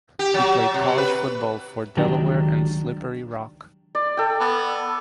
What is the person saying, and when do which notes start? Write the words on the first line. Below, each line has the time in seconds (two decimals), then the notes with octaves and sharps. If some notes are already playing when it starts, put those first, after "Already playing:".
He played college football for Delaware and Slippery Rock.
0.19 G4
0.34 F#3
0.74 C3
0.98 B4
1.97 C#2 D#3 F#3 D4 G4
3.95 D5
4.17 A4 G5
4.40 B3